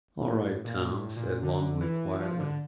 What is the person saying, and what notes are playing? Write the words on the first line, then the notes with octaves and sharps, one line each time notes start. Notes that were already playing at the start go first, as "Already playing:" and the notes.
"All right, Tom," said Longley quietly.
A2
A#2
A2
A#2
D3
E3
F3
D3